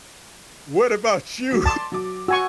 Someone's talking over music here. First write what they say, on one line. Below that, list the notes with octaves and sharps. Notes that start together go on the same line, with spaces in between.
What about you?
F#3 B6
A5 C6 D6 A6
F#3 D6
F#4 F#5 G#5 C#6 E6